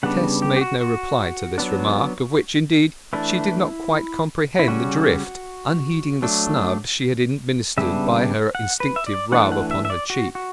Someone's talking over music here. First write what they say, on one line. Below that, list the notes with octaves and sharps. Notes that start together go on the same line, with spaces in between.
Tess made no reply to this remark, of which, indeed, she did not quite comprehend the drift, unheeding the snub she had administered by her instinctive rub upon her cheek.
C#3 G3 B3 D4 F#5
G4
G4
F#4
F#4
F#3 B3 D4
E3 A3 D4 E4
E4
C#3 G3 C#4 F#4
F#3 A3 D4
C#3 G3 B3 D4 E5
F#5
B4
E5
D5
E3 A3 D4 F#5
F#5
E5
E5
D5
F#4
F#4